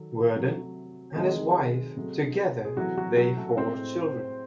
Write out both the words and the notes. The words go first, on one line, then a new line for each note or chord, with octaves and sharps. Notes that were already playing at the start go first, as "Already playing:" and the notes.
Worden and his wife together they four children.
Already playing: D#3 F#3 A4
C3 F#3 A3
C3 D#3 F#3 G#3 A3 G#4
C3 F#3 A3
G#4
C3 E3 F#3 A3 F#4
F#3 F#4
F#3 F#4
A3 A4
A2 G#3 C4 C5